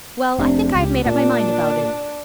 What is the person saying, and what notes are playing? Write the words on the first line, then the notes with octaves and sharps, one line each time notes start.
Well, I think I have made up my mind about it.
F1 C3 D4
C#2 G4
A#2 D4